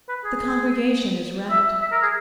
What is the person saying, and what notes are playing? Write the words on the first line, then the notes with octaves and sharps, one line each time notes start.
The congregation is rapt.'
B4
G#4
E5
E5
A#4
G#4